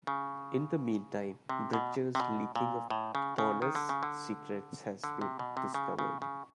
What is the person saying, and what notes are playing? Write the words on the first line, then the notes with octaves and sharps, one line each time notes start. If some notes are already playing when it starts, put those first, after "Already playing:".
In the meantime, Bridger's leaking of Thorness' secrets has been discovered.
C#3
C3
B2
C3
B2
A#2
A2
C#3
C#3
D#3
D3
C#3
D3
D3
C3
B2
C3
C#3
C#3
C#3